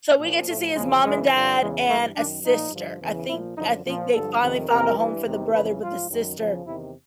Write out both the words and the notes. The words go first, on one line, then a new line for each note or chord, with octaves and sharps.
so we get to see his mom and dad and a sister. I think I think they finally found a home for the brother, but the sister,
A#2
F3
A2 F3 A3
E2 C#3 F3 G#3
F#2 C#3 E3 G#3
G2 D3 F3
E2 C#3 E3 G#3
G2 E3 A3
F#2 D#3 D4
A#2 F3 D#4
G2 D3 F3
E2 C#3 E3
A#2 F3 E4
F#2 D3 F3 D#4
A#2 F3
G2 D3 F3 A4
F2 C3 D#3
F2 C3 E3 A#4
G2 E3
E2 C3 D#3
F2 C#3 E3 B4
G#2 F3 F4
F#2 D#3
E2 C#3 F3
E2 C3 D#3 E4